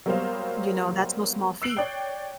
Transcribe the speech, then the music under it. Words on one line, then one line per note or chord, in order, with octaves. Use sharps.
you know, that's no small feat.
F#3 G3 A#3 B3 C5 F5
E6 F#6 C7 D7 F#7
C#5 D5 G5